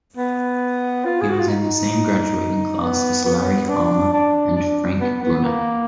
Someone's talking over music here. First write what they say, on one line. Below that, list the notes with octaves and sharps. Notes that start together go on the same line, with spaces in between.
He was in the same graduating class as Larry Hama and Frank Brunner.
B3
F4
G#4
F#4
F4
D#4
B3
B3
D4
D4
D4
B3
B3
A#3